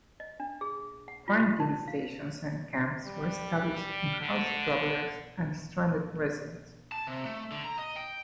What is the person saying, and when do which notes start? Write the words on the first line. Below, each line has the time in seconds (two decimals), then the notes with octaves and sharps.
Quarantine stations and camps were established to house travelers and stranded residents.
0.20 D#5
0.40 D4
0.61 G#4
1.08 F#5
1.28 F4
1.39 G4
1.60 D#4
1.88 F5
3.03 G3
4.21 D3
6.92 A5
7.07 C3
7.25 A3
7.52 D3
7.64 A#5
7.79 D#5
7.96 G5